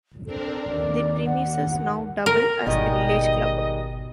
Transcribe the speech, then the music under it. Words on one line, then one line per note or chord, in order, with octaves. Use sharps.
The premises now double as the village club.
C4 D4 A4 A#4
D#2 D5
F#5
A#4
G#1 B2 D#3 G3 G#3 B3 D#5